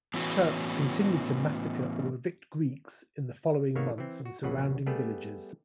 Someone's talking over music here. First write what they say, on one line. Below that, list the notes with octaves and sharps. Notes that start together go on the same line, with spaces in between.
Turks continued to massacre or evict Greeks in the following months in surrounding villages.
A2 E3 B3 C#4 E4 F#4
G#1 D#3 A#3 B3 C#5 E5
E3 C4
F#4
A#1 E2 C#3 F#3 B4 F#5
G3 A3 B3 G4 G#4 B4